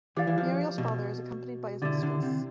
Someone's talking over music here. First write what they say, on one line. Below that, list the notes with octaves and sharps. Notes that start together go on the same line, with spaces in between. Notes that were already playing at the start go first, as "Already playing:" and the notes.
Muriel's father is accompanied by his mistress.
E3 G4 D5 F5
E3
F3
B2
D3 E4 G4 D5
D3
C3